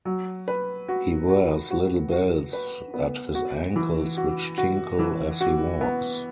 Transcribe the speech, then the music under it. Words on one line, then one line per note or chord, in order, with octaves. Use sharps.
He wears little bells at his ankles which tinkle as he walks.
F#3
B4
F#4
F#4
F#4
F#4
B4
B3
F#4
E3
F#4
F#4
E3
F#4
B3